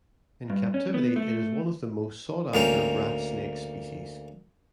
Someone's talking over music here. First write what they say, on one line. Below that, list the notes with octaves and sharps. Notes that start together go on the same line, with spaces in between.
In captivity, it is one of the most sought-after rat snake species.
G2
C#4
B3
A3
D2 A#3 C#4 G5